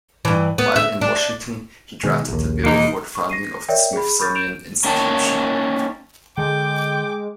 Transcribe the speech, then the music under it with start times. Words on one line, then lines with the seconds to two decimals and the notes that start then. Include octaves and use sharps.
While in Washington, he drafted the bill for the founding of the Smithsonian Institution.
0.25 G2 E3
0.58 B3
0.76 E5
1.01 D4
2.03 B2 D#3 G#3
2.28 A#1 D#2
2.64 E1 A#3 D#4
3.15 C#6
3.30 A#6 C7 D#7
3.69 A#4 C#5 D5 E5 G5
3.93 G#4 B5
4.19 B5 C#6 F6 G6 A6
4.35 G6 D7 E7 F7
4.84 A#3 C#4 D#4 D5 G5 A5
6.38 D3 G#3 G5 D6